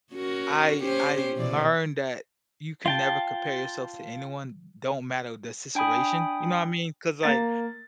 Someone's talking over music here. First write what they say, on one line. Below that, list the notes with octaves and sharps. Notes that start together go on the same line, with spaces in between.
I I learned that you can never compare yourself to anyone. Don't matter the situation. You know what I mean, 'cause, like,
C#4 F#4 A#4
C#4 G4 C5
B2 E3 D5
F4 G5 A5
D4 G5 G#5 B5 D#6
A#3 A6